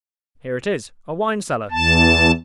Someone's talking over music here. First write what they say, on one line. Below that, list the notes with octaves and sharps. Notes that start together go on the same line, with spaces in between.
Here it is--a wine-cellar.
E2 A5